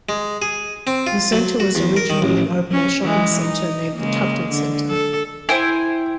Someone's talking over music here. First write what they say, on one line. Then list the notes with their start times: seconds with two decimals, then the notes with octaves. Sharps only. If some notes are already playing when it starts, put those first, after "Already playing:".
The centre was originally an open-air shopping area named The Tufton Centre.
0.09 G#3
0.42 G#4
0.87 C4
1.07 F4
1.32 F#3
1.60 F#4
1.75 E2
1.97 A#4
2.10 D#3
2.22 A1
2.71 C#4
3.02 E3 G#3
3.42 D#4
3.97 C#3 G#3 A#3
4.51 D3
4.89 A4
5.49 E4 C5 G5 G#5